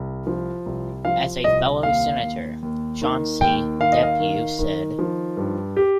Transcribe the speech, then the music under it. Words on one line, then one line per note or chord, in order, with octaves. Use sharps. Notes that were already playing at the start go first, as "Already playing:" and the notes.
Also a fellow Senator, Chauncey Depew, said.
Already playing: C2
F3
C2
F3 F5
C2 D#5
D#2 F5
D#2
D#2
D#3
D#2 G5
D#3 F5
D#5
F5
D#3
D#3
F3
G2
G4